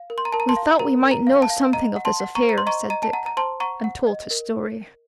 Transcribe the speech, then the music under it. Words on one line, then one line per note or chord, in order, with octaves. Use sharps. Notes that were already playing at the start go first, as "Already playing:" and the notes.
"We thought we might know something of this affair," said Dick, and told his story.
Already playing: F5
A#4
C6
A#5
A#4 A5
A#5
A5 C6
F5
A#4 A#5
A#4
A#5
F5
A5
F5
D#5 A#5
F#5
A5 C6
F#5
A#5 C#6
C5
A#5
C6
D#5 A#5 C#6
D#5 A#5
A5
F#5 A#5
A#5
C5 A5 C6
F#5 A#5 C#6
F#5
D#5
A#4